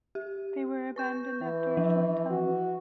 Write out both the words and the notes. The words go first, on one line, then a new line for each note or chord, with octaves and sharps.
They were abandoned after a short time.
G4
B4 C#6 G6
E3
F3
F#4